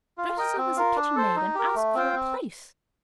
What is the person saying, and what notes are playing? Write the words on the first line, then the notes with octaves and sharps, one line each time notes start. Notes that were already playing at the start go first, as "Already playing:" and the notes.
'Dress yourself as a kitchen-maid and ask for a place.
F4
A#4 D#5 G5
C4
F4 A#4
D4
A4 C5
D#4
G4 A#4
A3
C4 F4 C5 G5
C4